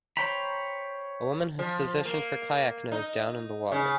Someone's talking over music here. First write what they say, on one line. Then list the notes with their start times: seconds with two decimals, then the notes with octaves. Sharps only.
A woman has positioned her kayak nose down in the water.
0.17 C5 C#5 G5 A#5 B5
1.59 F3
2.05 A#3
2.92 D#4
3.72 C#3